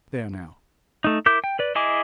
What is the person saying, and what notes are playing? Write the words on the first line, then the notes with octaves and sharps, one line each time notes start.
There, now.
A3 D#4
E4 A#4 D6 G6
G5
B4 D5
E4 G#4 D#5 G#5 D6